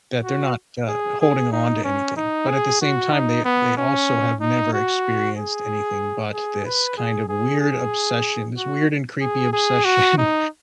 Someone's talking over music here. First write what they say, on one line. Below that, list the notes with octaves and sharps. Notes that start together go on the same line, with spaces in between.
That they're not, uh, holding on to anything, but at the same time they they also have never experienced anything but this kind of weird obsession, this weird and creepy obsession
F#4
G#4
G#4
D#4
C#4
D#4
G#4
F#4
D#4
B3
C#4
D#4
F#4
G#4
G#4
B4
G#4
G#4
G#4
F#4
G#4
G#4
F#4
D#4